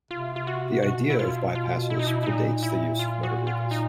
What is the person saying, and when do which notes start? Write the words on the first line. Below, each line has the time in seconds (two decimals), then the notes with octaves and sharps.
The idea of bypasses predates the use of motor vehicles.
0.11 C3 F4
0.36 F4
0.47 F#4
0.82 B2 F#4
1.10 E4
1.19 F4
1.55 F4
1.90 E4
1.99 D#4
2.07 E4
2.23 E4
2.26 A#2 D#4
2.63 E4
2.99 F4
3.23 F#4
3.47 F4
3.71 D#4